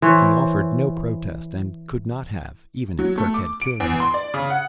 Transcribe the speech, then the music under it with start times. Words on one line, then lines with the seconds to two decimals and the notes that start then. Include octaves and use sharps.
He offered no protest and could not have even if Kerk had killed him.
0.02 E3 C5 C#5
2.99 F#3
3.18 A3
3.34 D6
3.62 D7
3.80 E2
4.00 C6
4.14 D5
4.34 C#3
4.50 F#5